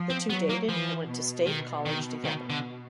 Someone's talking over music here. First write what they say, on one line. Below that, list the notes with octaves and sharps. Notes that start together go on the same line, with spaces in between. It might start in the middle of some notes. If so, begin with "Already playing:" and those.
The two dated and went to State college together.
Already playing: F3
C4
F#3 B3
A#3
E3 F3
B2
D#3
D#3
D#3
D3